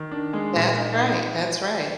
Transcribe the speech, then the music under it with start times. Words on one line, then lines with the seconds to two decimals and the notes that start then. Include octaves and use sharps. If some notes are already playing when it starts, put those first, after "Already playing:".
That's right, that's right.
Already playing: D#3
0.11 D4
0.33 G#3 G#4
0.56 A#2
0.78 D#4